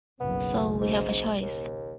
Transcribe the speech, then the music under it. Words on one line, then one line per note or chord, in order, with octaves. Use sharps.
So—we have a choice.
F#1 B1 C#3 B3
G#2
D#2